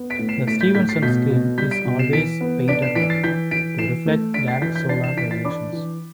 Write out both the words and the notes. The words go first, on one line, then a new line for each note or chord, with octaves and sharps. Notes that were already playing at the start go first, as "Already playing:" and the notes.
The Stevenson Screen is always painted white, to reflect direct solar radiations.
Already playing: B3
B6 D7
A2
C7 E7
A2 B6 D7
G6 B6
A2 G6 B6
A6 C7
B2 G6 B6
B2
G3 G6 B6
B6 D7
B2
C7 E7
E3 B6 D7
B3
D4 B6 D7
C7 E7
E3 B6 D7
A6 C7
E3 G6 B6
E3 B6 D7
E3 C7 E7
A3
D4 B6 D7
A6 C7
E3 G6 B6
G6 B6
D4 A6 C7
C7 E7
E3 B6 D7
A6 C7
D4 B5 D6
E3